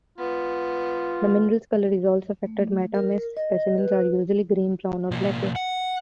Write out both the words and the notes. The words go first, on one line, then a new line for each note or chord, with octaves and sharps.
The mineral's colour is also affected: metamict specimens are usually green, brown or blackish.
B3 F4
A3
A#4
D#5
B4
B1 A#3
F#5